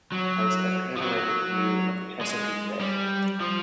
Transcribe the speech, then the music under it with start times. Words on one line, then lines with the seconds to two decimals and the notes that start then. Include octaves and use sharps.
It has a panoramic view of the Chesapeake Bay.
0.12 F#3
0.97 F3
1.02 F#3
2.21 G#3
2.80 G3
3.41 F3